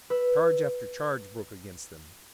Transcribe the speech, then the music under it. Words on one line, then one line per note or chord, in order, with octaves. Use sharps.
Charge after charge broke against them.
B4 E6